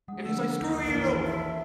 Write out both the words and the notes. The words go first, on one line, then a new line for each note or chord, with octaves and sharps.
And he's, like, "Screw you!"
G3 G#3 D4 F#5 D#6
D3 F3 A#3 F#5 E6
D#2
B1 F2 D#3 E3 A#3
E5 A5